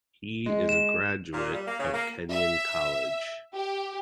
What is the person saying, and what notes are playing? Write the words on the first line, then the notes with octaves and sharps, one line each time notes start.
He is a graduate of Kenyon College.
G#3
E7
A#2
G3
A#3
C#3
A#3
E5
G4